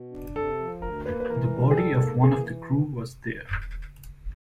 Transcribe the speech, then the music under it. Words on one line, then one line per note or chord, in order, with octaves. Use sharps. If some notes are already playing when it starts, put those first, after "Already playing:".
The body of one of the crew was there.
Already playing: B2
D4
C3 A4
F3
D2 A#4
A#3 B4
B4
E3 A#4
G3
G#4
G#2 A4
A#3
E3 G#4